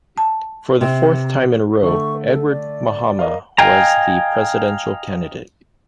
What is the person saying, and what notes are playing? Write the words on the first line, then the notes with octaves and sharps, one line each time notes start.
For the fourth time in a row, Edward Mahama was the presidential candidate.
A5
C3
D3 A3 C#6
A4
D5
A#4 D#5 F5
D#5 F5 G5 G#5 A#5